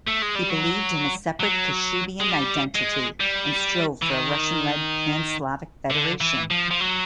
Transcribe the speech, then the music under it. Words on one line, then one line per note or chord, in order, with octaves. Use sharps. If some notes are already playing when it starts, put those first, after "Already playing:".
He believed in a separate Kashubian identity and strove for a Russian-led pan-Slavic federation.
A3
G#3
G3
F#3
F#3
G#3
G3
G#3
G3
E3
D#3
D3
E3
F3
F3
F#3